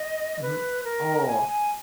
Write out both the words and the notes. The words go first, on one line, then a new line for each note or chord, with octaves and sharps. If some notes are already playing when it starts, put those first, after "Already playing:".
Mhm oh.
Already playing: D#5
B4
A#4
G#5
G#5